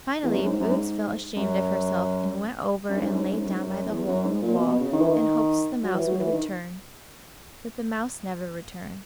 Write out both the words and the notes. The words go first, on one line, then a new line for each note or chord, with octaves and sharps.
Finally Boots felt ashamed of herself and went over and lay down by the hole in the wall in hopes the mouse would return, but the mouse never returned.
E2
F#2
G#2
F#2
G#2
F#2
F#2
G#2
F#2
G#2
F#2
G#2
F#2
G#2
F#2
E2
F#2
G#2
A#2
B2
B2
C#3
D#3
E3
D#3
F#3
E3
F#3
E3
D#3